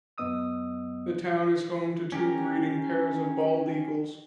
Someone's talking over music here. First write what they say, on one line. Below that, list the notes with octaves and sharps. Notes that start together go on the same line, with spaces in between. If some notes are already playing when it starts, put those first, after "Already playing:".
The town is home to two breeding pairs of bald eagles.
F#2 F#3 B3 D#5 D#6 E6
C#4 G4 A#4